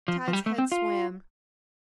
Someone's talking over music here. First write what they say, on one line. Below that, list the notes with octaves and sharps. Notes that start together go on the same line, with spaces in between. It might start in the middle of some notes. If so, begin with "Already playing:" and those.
Tad's head swam.
F3
F3
G3
A3
C4
F4